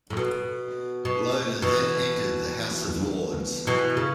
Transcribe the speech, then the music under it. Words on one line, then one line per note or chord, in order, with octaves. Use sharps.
Loder then entered the House of Lords.
A2
B2
B2
B2 E3
B2 E3
C#3